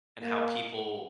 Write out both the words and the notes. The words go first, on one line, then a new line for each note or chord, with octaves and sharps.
and how people
A#3